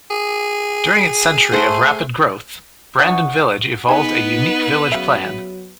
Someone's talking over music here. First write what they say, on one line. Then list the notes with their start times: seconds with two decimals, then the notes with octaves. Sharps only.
During its century of rapid growth, Brandon Village evolved a unique village plan.
0.11 G#4
1.52 A3 C5 F#5
2.99 E3 D4 F#5 C#6 D#6
3.89 B3 D#4 G#4 B4 D#5
4.92 C#3 F#3 E5